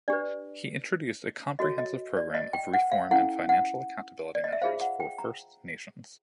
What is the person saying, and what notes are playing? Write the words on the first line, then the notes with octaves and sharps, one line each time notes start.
He introduced a comprehensive program of reform and financial accountability measures for First Nations.
D4 G4 B4 D5
F#4 A4 C#5 D#5
D#5
D5
D#5
G5
F#5
F5
C#4 E4 A4 F#5
F#5
D5
D#5
E5
F4 G#4 C5 F5
F#5
G5
A#5